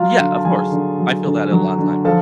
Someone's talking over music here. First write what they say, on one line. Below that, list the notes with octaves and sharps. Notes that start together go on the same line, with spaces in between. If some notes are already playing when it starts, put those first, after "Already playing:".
Yeah, of course. I feel that a lotta times.
Already playing: F#3 F4 F5
D3
A5
F#3 G#4 G#5
D3
F#3
D3
F#3
D3
F3 A4 A5